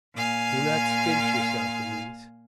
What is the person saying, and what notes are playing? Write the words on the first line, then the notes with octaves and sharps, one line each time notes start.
Do not stint yourself in these.
A#2 F5 G#5